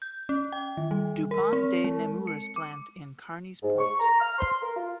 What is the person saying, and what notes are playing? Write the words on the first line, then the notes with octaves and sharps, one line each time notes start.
DuPont de Nemours plant in Carneys Point.
G6
C#4
G5
D#3
G3
A#4
C4
G#3
C#7
D6
G#2
C#6
A#5
F6
C6
A#4
F4